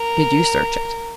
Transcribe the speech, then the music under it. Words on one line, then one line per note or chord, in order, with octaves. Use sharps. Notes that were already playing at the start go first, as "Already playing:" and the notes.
"Did you search it?"
Already playing: A#4